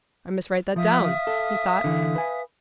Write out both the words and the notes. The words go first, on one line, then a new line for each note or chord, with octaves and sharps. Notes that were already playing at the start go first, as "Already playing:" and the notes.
"I must write that down," he thought.
F3 E5 F5 D#6
A4
D3 E3
B4 G#5